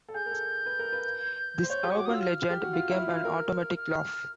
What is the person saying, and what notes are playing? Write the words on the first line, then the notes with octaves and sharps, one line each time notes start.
This urban legend became an automatic laugh.
A4
G#4 G6
A#4
A4
B4
A#4
B4
C5
C#5 G6
G4
C#6
F#4 D6
D#6
F4
E6
F6
G4
F#4
F4
E4
F4
A#4
F6